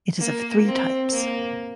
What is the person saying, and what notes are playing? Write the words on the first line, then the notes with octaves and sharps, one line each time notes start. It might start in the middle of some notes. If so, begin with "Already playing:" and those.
It is of three types.
A#3
C4
A#3